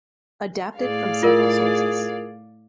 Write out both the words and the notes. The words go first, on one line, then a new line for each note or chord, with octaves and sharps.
Adapted from several sources.
A2 G#4 D5 F5
F4 A#4